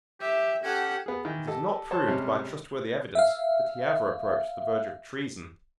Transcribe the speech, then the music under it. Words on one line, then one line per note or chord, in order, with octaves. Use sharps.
It is not proved by trustworthy evidence that he ever approached the verge of treason.
G4 E5
C#4 G4 A4 F#5
B3 G#4
D#3 E3
G4 A4 D#5
C5 C#5 A5
C3 G3 G#3 C#4
E5 F5